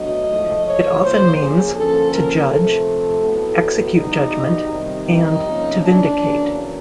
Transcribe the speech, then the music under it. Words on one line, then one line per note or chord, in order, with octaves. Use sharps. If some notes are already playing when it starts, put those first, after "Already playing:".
It often means "to judge", "execute judgment" and "to vindicate".
Already playing: B2 F#3 A3 D4 D#5
G#2 F3 A3
C#5
C#3 F3 A#3 C5
G#4
F2 D3 F3 A#3 C#4 A4
A#4
C3 F3 A3 A4
A2 F#3 B3
E2 B2 G3 D#4
C3 D#3 G3
D#4
C3 F3 A#3 C#4
D4
E2 C#3 F#3 A#3